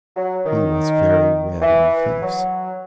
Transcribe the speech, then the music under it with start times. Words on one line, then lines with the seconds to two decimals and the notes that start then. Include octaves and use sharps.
He was very red in the face.
0.16 F#3
0.46 D#3
1.62 E3
2.22 F#3